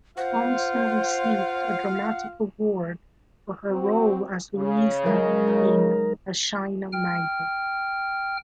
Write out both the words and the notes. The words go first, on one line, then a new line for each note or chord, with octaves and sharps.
Thompson received a Dramatic Award for her role as Luisa in "A Shayna Maidel".
F4 C5 F5 F#5
C4 F#4
C#3
F#3 G#3 A#4
D#4
G5 F6